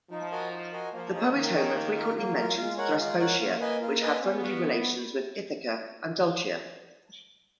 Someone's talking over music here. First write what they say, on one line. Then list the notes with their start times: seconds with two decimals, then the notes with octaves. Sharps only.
The poet Homer frequently mentions Thesprotia which had friendly relations with Ithaca and Doulichi.
0.11 F3 D#4
0.31 F#4 A#4 D#5 G#5
0.52 D#4
0.73 F#4 A#4 D#5 G#5
0.93 F3 A#3
1.13 D#4 G#4 C#5
1.34 D#3 A#3
1.55 D#4 G#4 C#5
1.74 A#3
1.95 F4 A#4
2.16 F#3 A#3
2.36 F4 A#4
2.57 G#3 F4
2.78 A#4 C#5 F#5
2.99 F4
3.19 A#4 C#5 F#5
3.40 A#3 F4
3.60 B4 D#5 G#5
3.81 F4
4.02 B4 D#5 G#5
4.21 B3 C#4
4.42 F#4 B4 F5